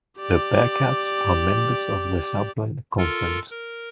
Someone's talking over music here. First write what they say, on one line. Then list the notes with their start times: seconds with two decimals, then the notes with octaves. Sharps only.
The Bearkats are members of the Southland Conference.
0.19 G4 D5
2.98 F4 A4 A#4
3.50 A#4